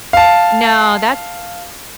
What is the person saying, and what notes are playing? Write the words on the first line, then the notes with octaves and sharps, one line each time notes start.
No, that's
F5 A5